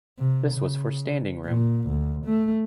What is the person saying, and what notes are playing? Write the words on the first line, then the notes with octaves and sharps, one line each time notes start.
This was for standing room.
C3
C#3
A#2
D2
A3